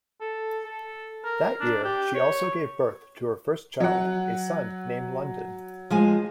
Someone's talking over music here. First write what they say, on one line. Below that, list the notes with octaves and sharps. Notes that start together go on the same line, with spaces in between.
That year, she also gave birth to her first child, a son named London.
A4
A4
A#4
D4
G4
C#5
F#3 F#5
F3 G#3 G#5